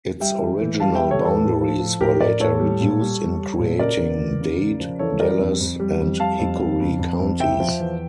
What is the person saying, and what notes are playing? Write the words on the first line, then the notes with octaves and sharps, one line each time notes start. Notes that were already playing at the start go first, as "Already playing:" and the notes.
Its original boundaries were later reduced in creating Dade, Dallas, and Hickory counties.
G3 E5 G5
E3
E3
G3 F5 A5
G3 E5 G5
A4 C#5
E2 A4
A2
F3
F3
A2 G4 A#4
A2 A#4 D5
A2 A4 C#5
G3
A#2
G3
G3
G3
A#2
C#3 A#4 D5
E2
E2
C#3
C#3
F3
E3 A4 C#5
G3 A#4 D5
F2
F2
G3
F2
G3 F5 A5
F2
F2
F2
F2
F2
F3 E5 G5
F3
E2